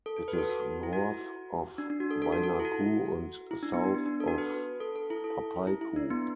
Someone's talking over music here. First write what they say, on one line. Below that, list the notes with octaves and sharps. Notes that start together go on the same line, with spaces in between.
It is north of Wainaku and south of Papaikou.
A4
A4
B4
F#4
A4
F#4
E4
F#4
D4
D4
F#4
A4
A4
F#4
A4
E4
F#4
E4
D4
B3
D4
B3
D4
A4
F#4
B4
A4
A4
E4
A4
E4
E4
D4
B3